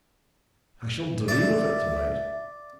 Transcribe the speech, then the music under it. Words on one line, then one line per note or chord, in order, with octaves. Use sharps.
I shall dream of it to-night.
D5 E5